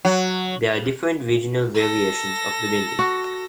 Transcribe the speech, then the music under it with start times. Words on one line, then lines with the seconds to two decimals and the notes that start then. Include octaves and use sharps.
There are different regional variations of the bindi.
0.05 F#3
1.75 A4 A#6
2.99 F#4